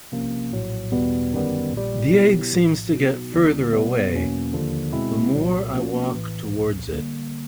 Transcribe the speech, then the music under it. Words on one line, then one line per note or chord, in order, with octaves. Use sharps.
The egg seems to get further away the more I walk towards it.
C3 F3 A#3 C#4
A#1 A2 F#3
E2 B2 G3 B3
G1 F#2 D#3 G3 B3
A#1 A#2 G3
B2 F#3 B3 E4 G4
A#1 A2 F3
B2 F#3 B3 D#4 F#4
D#2 D3 G3 B3 E4
B2 G3 B3
E2 B2 F#3 A#3 C#4
D#2 D3 F3
B2 G#3 C4 E4
C2 A#2 F#3
F3 A#3 C#4 F#4
A#1 A2 E3
C2 A#2 F3
D3 G3 A#3